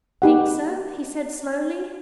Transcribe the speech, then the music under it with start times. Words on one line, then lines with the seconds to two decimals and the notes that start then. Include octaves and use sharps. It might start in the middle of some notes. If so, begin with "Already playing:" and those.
"Think so?" he said slowly.
0.22 D#4 G4 F#5